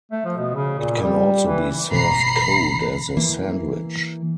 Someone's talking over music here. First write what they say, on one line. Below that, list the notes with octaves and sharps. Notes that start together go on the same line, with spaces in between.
It can also be served cold as a sandwich.
A3
F3
B2
C#3
A#2
G3
E3
G1 B2 E3 A#5 B5 C7
E3 A#3